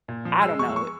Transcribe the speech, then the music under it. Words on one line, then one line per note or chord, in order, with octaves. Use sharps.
I don't know.
A#2
F3
G#3 E6
E2 C#6
E6
C#6